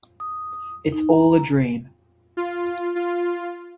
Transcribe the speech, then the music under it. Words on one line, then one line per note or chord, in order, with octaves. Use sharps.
It's All a Dream!
D#6
D#4
A#5
F4
F4